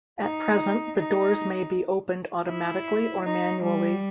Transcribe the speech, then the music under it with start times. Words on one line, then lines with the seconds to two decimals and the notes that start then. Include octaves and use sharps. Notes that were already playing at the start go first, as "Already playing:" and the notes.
At present the doors may be opened automatically or manually.
0.20 D#4
0.97 D#4
2.49 E4
3.25 D#4
3.63 G3